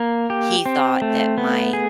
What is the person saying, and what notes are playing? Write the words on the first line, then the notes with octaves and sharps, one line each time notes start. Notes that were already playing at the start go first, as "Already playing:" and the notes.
he thought that my
Already playing: A#3
G4
C4
A3
B3
G#4